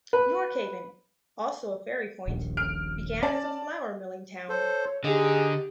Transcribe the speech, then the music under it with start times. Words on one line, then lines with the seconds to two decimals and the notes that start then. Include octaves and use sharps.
York Haven, also a ferry point, began as a flour milling town.
0.13 B4
2.28 D#1 A#1 D#2
2.57 F6 D7
3.23 C#4 D5 A5
4.49 A4 C5 C#5
5.04 D3 D#4 G4 G#4 D#5